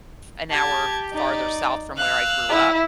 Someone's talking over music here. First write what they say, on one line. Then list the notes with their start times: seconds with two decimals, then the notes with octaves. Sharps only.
an hour farther south from where I grew up,
0.50 G4 A5 G#6
1.12 D#4 D5
1.97 F5 E6 F#6
2.49 E4